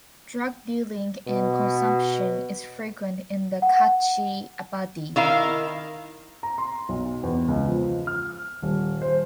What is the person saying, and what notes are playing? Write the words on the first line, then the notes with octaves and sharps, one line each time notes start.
Drug dealing and consumption is frequent in the katchi abadi.
B2
F#5
D#3 E4 F5
A#5
C6
B1
E2
C#2
F3
F6
D#1
C5